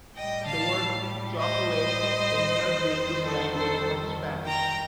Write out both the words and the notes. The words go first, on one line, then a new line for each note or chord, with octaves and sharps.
The word "chocolate" entered the English language from Spanish.
A2 G3 D#5 G5
F5 A5
C5 D#5
F2 D#3 G3
A4 C5
A4 C5
G5 A#5